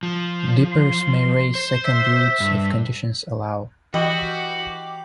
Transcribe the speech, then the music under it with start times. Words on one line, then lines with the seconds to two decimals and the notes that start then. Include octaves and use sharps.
Dippers may raise second broods if conditions allow.
0.03 F3
0.72 C6
1.55 C5
1.85 E5
2.40 G2
3.94 E3 F#4 G4 D#5 D6 F#7